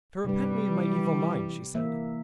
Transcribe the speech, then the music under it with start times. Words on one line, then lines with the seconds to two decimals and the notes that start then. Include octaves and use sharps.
'To repent me of my evil mind,' she said.
0.25 G2 C3 G3 B4
0.70 E3
1.74 E3 A#3 E5